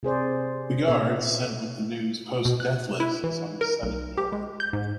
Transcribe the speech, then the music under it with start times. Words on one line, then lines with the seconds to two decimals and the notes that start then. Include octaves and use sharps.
The guards sent with the news post death lists on the senate door.
0.03 C3 G#4 C5 D5
0.86 A#2 B3 A4 C#5 E5
2.45 B2
2.60 F#6
3.00 E4
3.24 E3
3.61 A#4
3.83 B1
4.17 G4
4.32 G#3
4.60 G6
4.73 G#2